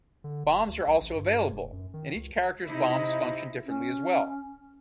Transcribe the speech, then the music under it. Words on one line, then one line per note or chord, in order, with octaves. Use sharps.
Bombs are also available, and each character's bombs function differently as well.
D3
F1
D2
B1
A1
G2
F1
F#2
D#3
C#2
C3 D#4 E4
C#4